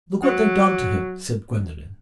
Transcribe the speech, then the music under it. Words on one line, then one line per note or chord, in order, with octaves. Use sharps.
"Look what they've done to him," said Gwendolen.
F#3